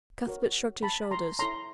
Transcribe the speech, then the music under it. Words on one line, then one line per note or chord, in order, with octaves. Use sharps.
Cuthbert shrugged his shoulders.
F#4 A#4 C#5
A5 B5
A#5 C6
E4 A4 C#5 A#5 C6